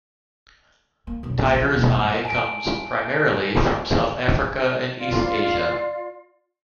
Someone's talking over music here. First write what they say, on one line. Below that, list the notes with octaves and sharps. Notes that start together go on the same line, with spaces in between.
Tiger's eye comes primarily from South Africa and east Asia.
A#3
B1 F#2
A#1 A#2
F3
D#2 B2
G2 A#2
G#5 A5 D7
F4 D5